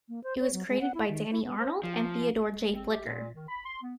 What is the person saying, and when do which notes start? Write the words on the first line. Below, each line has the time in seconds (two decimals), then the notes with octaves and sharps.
It was created by Danny Arnold and Theodore J. Flicker.
0.09 A#3
0.24 C5
0.40 C#5
0.53 F#3
0.69 G#3
0.81 F#5
0.94 E4
1.09 D#3
1.32 E4
1.43 B3
1.59 C5
1.84 F3
2.72 C4
2.90 G4
3.06 A#2
3.34 D#3
3.48 B5
3.65 C6
3.82 B3